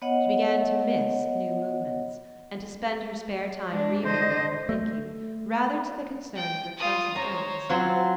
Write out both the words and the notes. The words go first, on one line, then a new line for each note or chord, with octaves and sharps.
She began to "miss" new movements, and to spend her spare time re-reading or thinking, rather to the concern of her Chelsea friends.
B3 C#5 D#5 F#5
G#3 D4
D3 C5 D#5
A3
G5
F4 D#6
C5 C#5 A#5
F#3 C4 F4